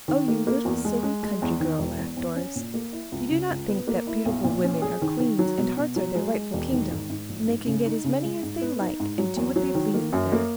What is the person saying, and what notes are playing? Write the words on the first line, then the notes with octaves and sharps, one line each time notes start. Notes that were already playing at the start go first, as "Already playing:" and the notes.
"Oh, you little silly country girl," laughed Doris, "you do not think that beautiful women are queens, and hearts are their rightful kingdom, and they can get as many as they like, and do what they please with them."
D#3
A#3
A#3
E2
G#3
G#3
G#3
E2
D#3
E1
E2
E2
C#4
A#2
A#3
E4
C#2
C#3
C#2
B3
A#3
E4
B1
A#2
C#4
G#4
D#3
D#3
F#3
B2
B2
F#3
G#3
G#3
E1
D#3
G#2
G#2
A#1
G#2
C#3
D#4
C#3
G#3
G#2
B3
D#4
G#2
F#3
E2
F#3
D#3
A#3
F#2
A#3